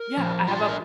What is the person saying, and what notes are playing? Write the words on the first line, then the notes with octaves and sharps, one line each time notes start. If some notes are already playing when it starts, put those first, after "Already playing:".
Yeah, I have a
Already playing: A#4
F3
D4 F4
A#4